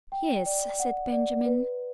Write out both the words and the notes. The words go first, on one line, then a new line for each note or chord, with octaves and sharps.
"Yes," said Benjamin.
G5
D5
F#5
D5
B4